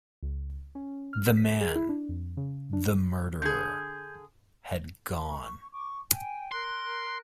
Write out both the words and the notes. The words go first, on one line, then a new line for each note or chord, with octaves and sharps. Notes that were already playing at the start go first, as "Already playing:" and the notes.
The man — the murderer — had gone.
C#2
C#4
F6
B6
G#4
E4
D4
F2
C#3
D4
D3 G#4 G6 G#6
C#6
C#6 D6
G5 G#5
A#4 C6 F#6